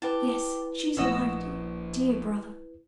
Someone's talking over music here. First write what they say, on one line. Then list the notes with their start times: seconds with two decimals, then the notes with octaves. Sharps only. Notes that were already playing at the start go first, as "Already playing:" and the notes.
'Yes, she is alive, dear, dear brother!
0.02 E4 G4 B4 A5
0.97 A#1 A2 F3 C#5 D#5 F#5 E6